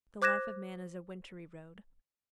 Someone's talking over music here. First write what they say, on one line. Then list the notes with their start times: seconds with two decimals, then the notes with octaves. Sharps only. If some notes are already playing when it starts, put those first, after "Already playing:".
The life of man is a wintry road.
0.22 C5 D6 F#6 G#6 A#6 E7